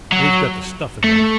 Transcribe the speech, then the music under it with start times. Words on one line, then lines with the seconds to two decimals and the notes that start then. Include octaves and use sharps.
They've got the stuff in them!
0.12 F#3
1.04 A3